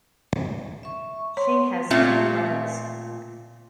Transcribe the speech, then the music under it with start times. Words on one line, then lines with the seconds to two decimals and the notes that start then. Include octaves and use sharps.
She has three brothers.
0.83 E5 C#6
1.37 C#5 C6
1.90 A#2 A3 C4 F4 E5